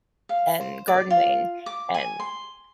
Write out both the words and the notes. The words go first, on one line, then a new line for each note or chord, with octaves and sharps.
and gardening and
F5
C5
D5
F4
D6
G#5
C6